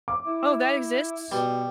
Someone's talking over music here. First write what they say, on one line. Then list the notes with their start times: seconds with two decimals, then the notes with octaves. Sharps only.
Oh, that exists?
0.08 D6
0.27 E4
1.32 B2 G3